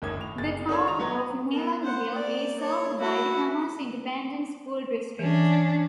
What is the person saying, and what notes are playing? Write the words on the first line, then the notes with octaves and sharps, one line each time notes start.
The Town of Neylandville is served by the Commerce Independent School District.
F#1 D2 D#3 C#5 D6 G#6
A2 F7
F#1 C3 G#4 A6
D#3 D4 F4 A4 C#5
G#3 C#5 A#5 F7
F#3 B3 B4 C#5 D#5
B3 A#4
C5 F#5
A#3 D5
C#5
E4 F#4
E3 C#4 D4